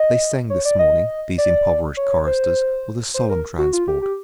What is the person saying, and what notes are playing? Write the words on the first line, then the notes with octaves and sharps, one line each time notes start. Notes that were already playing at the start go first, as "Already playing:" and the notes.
They sang this morning, these improvised choristers, with a solemn transport.
Already playing: D#5
C#5
D5
D#5
D5
C#5
C5
C5
A#4
F#4
F4
G4
G4